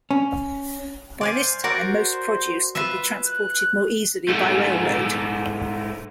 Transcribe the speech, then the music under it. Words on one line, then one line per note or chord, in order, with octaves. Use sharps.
By this time most produce could be transported more easily by railroad.
C#4
C5 D5 F5 G#5
F#4 A#4 D5
F4 B4 E5
F#6
G#2 A3